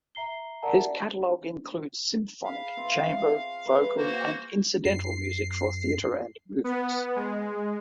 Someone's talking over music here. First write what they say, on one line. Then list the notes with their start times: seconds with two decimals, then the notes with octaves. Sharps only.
His catalog includes symphonic, chamber, vocal and incidental music for theater and movies.
0.15 E5 A#5 C7 G7
0.62 A#4 D5 E5 F#5 A5 A#5
2.44 G#4 F5 B5
2.77 C4 F4 E5
3.17 G#4 C#6
3.66 B4
3.97 A#3 F#4 C5
4.85 F#2 C7
6.64 B3
7.16 G#3